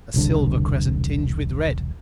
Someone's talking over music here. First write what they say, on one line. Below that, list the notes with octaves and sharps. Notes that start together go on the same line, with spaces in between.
A silver crescent, tinged with red.
E1 C2 D3